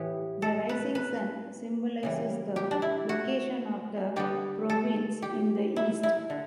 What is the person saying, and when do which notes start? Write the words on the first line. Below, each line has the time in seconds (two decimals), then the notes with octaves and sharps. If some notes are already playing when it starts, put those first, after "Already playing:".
The rising sun symbolizes the location of the province in the east.
Already playing: A2 E3 B3 G4
0.42 A4
0.69 B4
0.95 B4
2.03 C#3 E3 G3
2.56 G4
2.71 D4
2.82 E4
3.09 F#4
4.16 D3 G3 B3 G4
4.70 A4
5.22 G4
5.76 E4
6.03 E4
6.30 D3